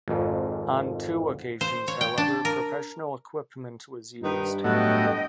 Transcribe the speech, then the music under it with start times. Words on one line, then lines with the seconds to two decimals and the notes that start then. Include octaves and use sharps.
On two occasions, however, professional equipment was used.
0.08 G#1 F2 G#2
1.61 C5
1.88 C#5
2.01 G5
2.18 D4
2.45 A#4
4.22 G2 D#3 D#4 B4
4.64 A2 F#3 B3 D#5 G5